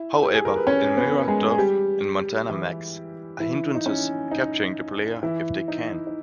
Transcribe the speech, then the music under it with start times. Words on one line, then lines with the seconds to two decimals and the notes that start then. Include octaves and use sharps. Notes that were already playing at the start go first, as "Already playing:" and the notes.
However, Elmyra Duff and Montana Max are hindrances, capturing the player if they can.
Already playing: E4 E5
0.23 G4
0.34 G#4
0.45 A#4
0.56 B4
0.67 C#4 C#5
0.97 B3 B4
1.28 G#3 G#4
1.50 G#4
1.58 G3 G4
2.49 E3 E4
3.40 E3 E4
3.75 D#4
3.86 C#4
4.31 D#4
5.23 E3 E4
5.68 D#4
6.07 D#4